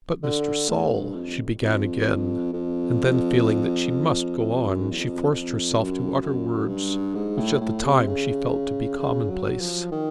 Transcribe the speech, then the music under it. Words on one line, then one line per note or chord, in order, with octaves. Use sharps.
"But, Mr. Saul--" she began again, and then, feeling that she must go on, she forced herself to utter words which at the time she felt to be commonplace.
D3
A2
G2
F2
F2
F2
F2
F#2
E2
F2
F2
F#2
F#2
G2
G#2
A2
A2
C3
C#3
C#3
F#3
F3
D#3